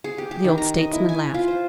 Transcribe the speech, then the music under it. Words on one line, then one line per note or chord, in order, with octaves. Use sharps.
The old statesman laughed.
G#4
G4
G4
D#3
A#5
D#5
E4
G#5
F4
C5